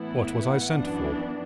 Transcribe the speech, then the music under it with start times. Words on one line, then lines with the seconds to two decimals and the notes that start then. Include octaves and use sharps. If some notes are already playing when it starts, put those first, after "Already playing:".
"What was I sent for?"
Already playing: A2 E3 B3 E4
0.32 F#5
0.74 F#2 E3 B3 D4